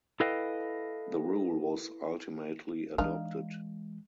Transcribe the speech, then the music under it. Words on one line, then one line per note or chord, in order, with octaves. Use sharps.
The rule was ultimately adopted.
E4 A4 B4 D#5 F5 G5
E3 G#3 D4 D#4 F5